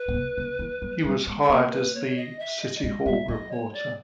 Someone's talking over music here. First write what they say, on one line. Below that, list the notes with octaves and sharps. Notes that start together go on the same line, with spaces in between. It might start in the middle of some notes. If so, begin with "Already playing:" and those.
He was hired as the "City Hall" reporter.
Already playing: B4
B2
C3
C#3
E3
F#3
G3
G#3
A4
A#3 A#4
B4
C#5
D#5
E5
D#5
D5
G#3 D#5
G3 E5
F#3 D#5
C#5
D5